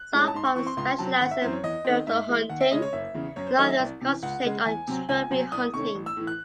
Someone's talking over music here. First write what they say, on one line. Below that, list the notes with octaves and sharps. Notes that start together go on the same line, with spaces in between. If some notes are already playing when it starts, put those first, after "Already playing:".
Some farms specialize in biltong hunting and others concentrate on trophy hunting.
Already playing: F#6
A2 G#3 C#4
A5
G#2 C6
C#6
E3 C4 C#6
C6
C#2 C6
C3 F#3 C4 A5
G#1 F#5
E5
F#2 E3 C4 C5
C#5
E2 D#5
D#3 A3 C4
G#2 E5
E3 G#3
D#2 F#5
E5
C#3 G#3 C#4 D#5
C#5
F#1 E5
E2 C#3
F#2 C#5
C5
D#3 F#3 A3 D#5
E5
C2
C3 E3
C#2 F#5
C#3 G#3
E2 G#5
C3 F#3 C4
C#2 G#5
C3 F#3 C4
C2 D#6
C3 D#3 A3 C#4 C#6
A1
E6
A2 E3
F#6